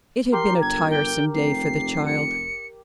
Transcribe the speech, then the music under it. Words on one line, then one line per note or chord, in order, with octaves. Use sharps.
It had been a tiresome day for the child.
G4 A#4 C6
G1 G#6
G5
F1 C7
C#7